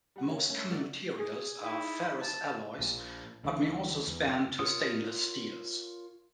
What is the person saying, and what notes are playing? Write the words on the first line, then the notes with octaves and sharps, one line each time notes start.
The most common materials are ferrous alloys but may also span to stainless steels.
G3 F#5
A#3 C#5
A3 C#4
A3 D#4 F#4 D5 A6
G#4
D#4 E4
A5
A#1 A#2
C#2 D3 E3 D4
E2
F2
F4 A#4 C#5 F#5 D#6